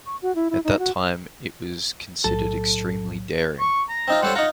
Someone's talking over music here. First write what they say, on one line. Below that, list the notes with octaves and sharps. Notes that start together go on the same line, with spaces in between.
At that time it was considered extremely daring.
C#6
F#4
E4
E4
D#4
F#4
B1 A2 F#3 A4
C#6
A#5
C4 D#4 F4
G3 A4 C5 C#5 F#5
D#4 F4 F#5 A#5